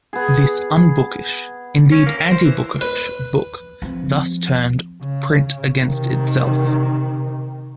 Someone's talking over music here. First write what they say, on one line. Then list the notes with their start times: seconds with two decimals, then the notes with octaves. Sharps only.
This unbookish-indeed anti-bookish-book thus turned print against itself.
0.13 B3 G#4
1.91 C#4
2.06 A#3
2.18 A#4
2.31 C5
2.44 E3
2.81 B4
3.82 F3 C4
5.02 C#3
5.82 C3 D#3